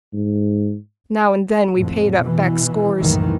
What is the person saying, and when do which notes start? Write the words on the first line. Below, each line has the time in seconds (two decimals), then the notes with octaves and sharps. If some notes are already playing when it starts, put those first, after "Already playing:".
Now and then we paid up back scores.
0.13 G#2
1.77 G#1 F2 A2
2.20 B2 E3
2.99 F#1 C2 A2 D#3 E3